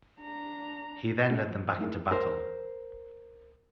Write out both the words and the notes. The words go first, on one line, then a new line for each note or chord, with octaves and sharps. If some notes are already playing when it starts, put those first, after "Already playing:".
He then led them back into battle.
D4 A#5
A3 C#4 E4 G#4
G2 F3
E3 C5
F#3 A3 D#4 E4 G#4 A#4
A#4 C5